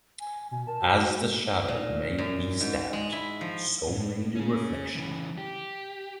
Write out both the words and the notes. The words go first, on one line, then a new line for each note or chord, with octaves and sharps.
As the shadow may be stabbed, so may the reflection.
G#5
B2 G#5
A#4 A5
F#4
G#3
A#2
F#2
G#2
G#3
E4
F3
A2
C#4 G#4
C#3 E3
G4